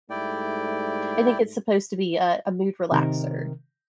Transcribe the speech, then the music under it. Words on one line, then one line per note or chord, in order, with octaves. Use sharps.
I think it's supposed to be a a mood relaxer.
G#2 G3 A3 E4 D5 G5
C3 D#3 A#4